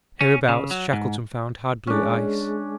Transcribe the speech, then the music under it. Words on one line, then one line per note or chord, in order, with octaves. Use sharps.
Hereabouts Shackleton found hard blue ice.
C#4
C#3
F#3
G#2
G#3 C#4 D4